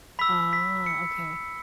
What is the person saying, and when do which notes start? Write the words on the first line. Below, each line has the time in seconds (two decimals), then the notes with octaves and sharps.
ah, okay.
0.19 B5 E6 B6
0.53 B6
0.86 C#7